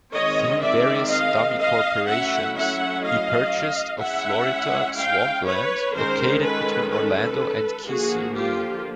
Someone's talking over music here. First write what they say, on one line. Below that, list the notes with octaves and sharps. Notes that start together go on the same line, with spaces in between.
Through various dummy corporations, he purchased of Florida swampland located between Orlando and Kissimmee.
D#3 G#3 C4 C#5 D#5
D5 E5
D#5 F5
D#5 F5
F#3 A3 C#4 E4 E5 F#5
E5 F#5
D#5 F5
G#3 C#4 E4 E5 F#5
F5 G5
B4 C#5
D#3 G#3 C#4 A#4 C5
A4 B4
A4 B4
D3 F3 A#3 F#4 G#4
F4 G4